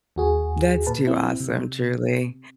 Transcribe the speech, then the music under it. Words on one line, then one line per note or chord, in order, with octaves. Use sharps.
That's too awesome, truly.
D#2 F#4 G#4
A#2 B4 A5
C4 E4
C3